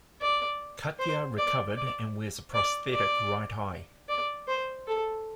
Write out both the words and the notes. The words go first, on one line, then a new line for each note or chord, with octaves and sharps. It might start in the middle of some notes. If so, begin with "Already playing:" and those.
Katya recovered and wears a prosthetic right eye.
D5
C5
D5
D5
D5
D5
D5
C5
A4